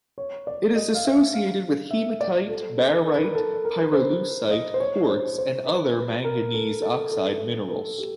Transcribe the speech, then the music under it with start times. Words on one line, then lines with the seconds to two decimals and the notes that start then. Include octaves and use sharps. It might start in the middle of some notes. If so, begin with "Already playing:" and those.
It is associated with hematite, barite, pyrolusite, quartz and other manganese oxide minerals.
0.18 C#5
0.47 D5
0.75 D#5
0.94 F5
1.05 E5
1.34 F5
1.91 E5
2.21 D5
2.49 A4
3.07 A#4
3.16 B4
3.24 A#4
3.35 A4
3.65 A#4
3.82 B4
3.93 C5
4.51 D#5
4.74 C5
4.80 C#5
5.08 C5
5.38 C5
5.66 B4
5.96 B4
6.24 A#4
6.54 A4
6.82 A4
7.12 A4
7.68 A4
7.98 G4